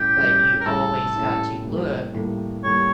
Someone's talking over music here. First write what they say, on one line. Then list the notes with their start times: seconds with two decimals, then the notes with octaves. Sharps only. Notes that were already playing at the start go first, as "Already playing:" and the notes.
But you always got to look
Already playing: A2 G3 C#4 E4 G4
0.16 A2 G3 C#4 E4
0.61 A#4
0.65 A2 G3 C#4 E4 A4
1.16 A2 G3 C#4 E4
1.65 A2 G3 A#3
2.14 A2 G3 A#3
2.64 A2 G3 A#3 C#5